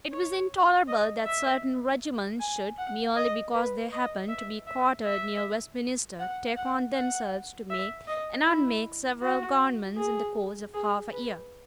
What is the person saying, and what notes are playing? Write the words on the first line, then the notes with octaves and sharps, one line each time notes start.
It was intolerable that certain regiments should, merely because they happened to be quartered near Westminster, take on themselves to make and unmake several governments in the course of half a year.
C#5
D#5
E5
G#5
F#5
D#5
B4
D#5
E5
E5
E5
F#5
F#5
F#5
E5
D#5
E4
F#4
G#4
G#4
B4